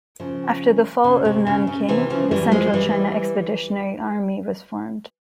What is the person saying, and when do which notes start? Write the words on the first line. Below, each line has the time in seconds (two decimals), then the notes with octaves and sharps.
After the fall of Nanking, the Central China Expeditionary Army was formed.
0.20 C#3 F3
1.04 C#3
1.25 C3
1.47 C#3
1.67 C#3
1.89 C3 E3
2.10 C#3 F3
2.31 E3 G3
2.52 F3 G#3
2.73 E3 G3